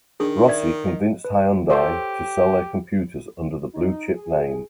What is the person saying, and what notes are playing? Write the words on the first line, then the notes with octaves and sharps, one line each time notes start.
Rossi convinced Hyundai to sell their computers under the Blue Chip name.
D#3 D4 G#4
D5 E5 G#6
D#5
B4
G4 A4 C5 C#5
D#4
G#4